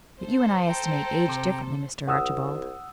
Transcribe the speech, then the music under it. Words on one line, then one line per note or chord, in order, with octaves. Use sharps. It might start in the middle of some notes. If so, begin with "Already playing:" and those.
But you and I estimate age differently, Mr. Archibald.
A4 C5
G5 A#5
C3
C2 F#5 D#6 E6